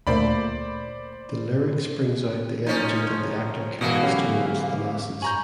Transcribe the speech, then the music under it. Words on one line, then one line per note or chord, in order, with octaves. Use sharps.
The lyrics brings out the energy that the actor carries towards the masses.
D2 A#2 A3 C5 D5 B5
F3 C#4 D#4 C#5
B2 E3 A#3 F5 F#5 D#6
D3 F#3 B3 C#4 G4
G2 G#5 A#5 B5 C#6 G6